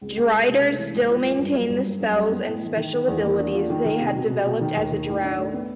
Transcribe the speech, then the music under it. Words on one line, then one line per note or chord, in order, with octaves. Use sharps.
Driders still maintain the spells and special abilities they had developed as a drow.
C#2
C#2
C#2
C3
A3
E3
G#2
F3
F3
G2
F#3
G2
A#3
F#2
G3
B3
A2
E3
D#3
D#3
E2
A#3
D4
F4
D#3
D#3
C3
B2
B2
B2
D#3
D#2
D#3
A2
D4
A3
B3